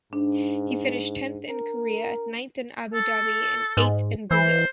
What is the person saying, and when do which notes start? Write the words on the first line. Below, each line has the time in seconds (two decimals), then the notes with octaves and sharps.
He finished tenth in Korea, ninth in Abu Dhabi and eighth in Brazil.
0.13 G#2 D4
1.49 A#4
2.94 A4
3.77 G#2
4.31 E3 C5